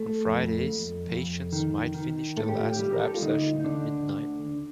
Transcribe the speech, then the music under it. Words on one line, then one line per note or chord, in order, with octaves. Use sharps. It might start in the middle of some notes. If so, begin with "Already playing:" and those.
On Fridays, patients might finish their last rap session at midnight.
Already playing: A3 A4
F2
F2
F2
D#3
D#3
A2 A4
G4
F4
G4
G3
A#4
A4
G4
F4
D2 D#4
D#4
D3 D4
D2